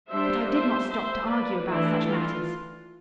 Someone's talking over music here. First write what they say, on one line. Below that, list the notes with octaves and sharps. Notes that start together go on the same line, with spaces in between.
But I did not stop to argue about such matters.
G3 D4 C5 E5
C5 E5
C5 E5
B4 D5
E3 A3 D4 E4
F4